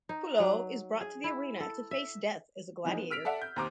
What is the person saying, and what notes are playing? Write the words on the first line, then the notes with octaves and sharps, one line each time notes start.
Pullo is brought to the arena to face death as a gladiator.
D#4
F#3
G#4
E4
A4
E5
E3 F3 G#3 D#4
B3
E6 F6 B6 D7 F7
A4 D5 E5 F#5
G6
D#2 C5 A#5 C6 D6